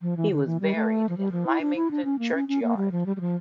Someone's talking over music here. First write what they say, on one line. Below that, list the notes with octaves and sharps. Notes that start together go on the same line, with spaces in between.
He was buried in Lymington churchyard.
F3
E3
D3
E3
G3
A3
F3
G3
F3
E4
D4
E4
D4
C#4
A#3
C#4
C#4
A#3
G3
F3
G3
G3
F3